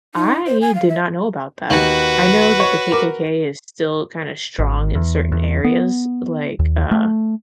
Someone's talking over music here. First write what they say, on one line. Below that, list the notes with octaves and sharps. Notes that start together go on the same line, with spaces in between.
I did not know about that. I know that the KKK is still kinda strong in certain areas, like, uh,
D#4
C5
G#5
F5
E5
D#2 F#4 B4
C#5
A#4 D6
G#1
E2
E2
B3
D#2
A3